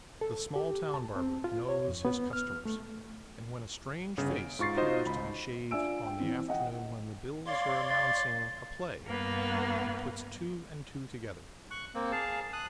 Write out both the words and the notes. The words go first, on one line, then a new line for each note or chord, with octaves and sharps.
The small-town barber knows his customers and when a strange face appears to be shaved on the afternoon when the bills are announcing a play, he puts two and two together.
A4
G4
A5
C4
F4
C#5
F2
B3
F6
A3
G1 C#3
D7
G#2 F4 C#6 A6 C7
D#4 F4 F#4 C5 D#5
C#2 B5
D4 F4 E5 G#5 E6 D7
G5
E3 C4
D#5 F#5 G5
C#5 D5 F5 C6
A6
G2 A#3 B3
C#6 F#6
A#3 C4
G#4 F5 A5
D#6 F#6